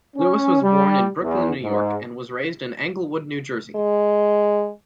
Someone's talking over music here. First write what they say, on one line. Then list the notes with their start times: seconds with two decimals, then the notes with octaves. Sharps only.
Lewis was born in Brooklyn, New York and was raised in Englewood, New Jersey.
0.17 C#4
0.62 G3
1.22 E2
1.63 G#2
3.75 G#3